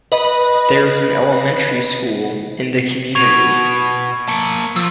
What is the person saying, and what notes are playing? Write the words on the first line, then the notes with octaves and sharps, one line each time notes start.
There is an elementary school in the community.
B4 D#5 B5
B2 C#6 G#6 F7
A#3 A5
F3 E6